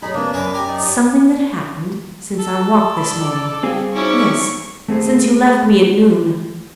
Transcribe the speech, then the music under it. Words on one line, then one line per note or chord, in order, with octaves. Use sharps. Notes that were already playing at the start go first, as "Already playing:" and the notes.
It's something that happened since our walk this morning--yes, since you left me at noon.
D#4 G#4 C5 C#5 B5
C#3 A#3 B3 D4
F#2 D4 G#4 A#4 B4
G4 G#5 A#5
D#4 D5
G4
A4
D5 B5 D#6
G3 C4 G#4 F5 G5
C#4 D#4 E4 F#4 C5 D5 C#6
A3 C4 G#4 C5